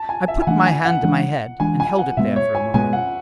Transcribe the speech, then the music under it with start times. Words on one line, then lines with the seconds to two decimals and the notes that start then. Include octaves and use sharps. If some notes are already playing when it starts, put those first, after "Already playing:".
I put my hand to my head, and held it there for a moment.
Already playing: A5
0.09 G#5
0.28 E5
0.42 G#5
0.47 E3 A3 D4 F#5
0.66 G#5
0.85 F#5
1.03 E3 G#3 D4
1.60 E3 G#3 D4 G#5
1.80 G#5
1.99 F#5
2.17 B2 G#3 B3 E5
2.36 C#5
2.55 G#5
2.74 B2 G#3 B3 G#5
2.93 F#5